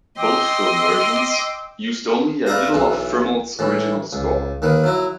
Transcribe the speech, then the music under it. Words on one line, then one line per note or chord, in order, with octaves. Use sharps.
Both film versions used only a little of Friml's original score.
D#5 G5 C6 D6 E6
B4 D5 E5 F5 A#5
B1 E3
A2 E3
C#2
D#2 D#3 B4
F#3 E4 F#4